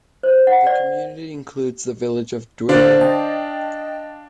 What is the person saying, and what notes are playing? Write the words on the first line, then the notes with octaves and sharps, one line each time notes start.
The community includes the village of Dwyran.
C5
F#5
D5
D3 D4 C5 D5 F5
D#5 G5 A5